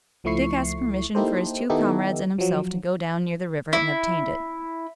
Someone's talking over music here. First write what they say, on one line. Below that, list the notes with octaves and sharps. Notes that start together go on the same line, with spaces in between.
Dick asked permission for his two comrades and himself to go down near the river and obtained it.
C#2 F3 A3 E4 C#6 C7
A#3 D#4 E4 G4 A4 C5
D#3 B3 D#4 E4 G4 A4
F3 F#3
E4